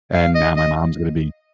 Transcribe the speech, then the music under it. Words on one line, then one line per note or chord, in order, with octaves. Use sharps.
And now my mom's gonna be
F5
D#5
D#5